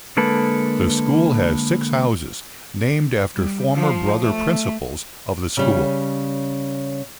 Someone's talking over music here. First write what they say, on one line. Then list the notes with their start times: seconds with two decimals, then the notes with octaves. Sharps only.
The school has six houses named after former brother principals of the school.
0.17 D3 G#3 A#3 A4 B4
3.34 G3
3.75 F3
4.22 A3
5.57 C#3 G3 C#4